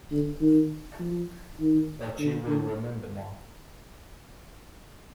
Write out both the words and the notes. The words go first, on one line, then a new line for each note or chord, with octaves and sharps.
But you will remember now.
D3
D#3
F3
D#3
D3
D3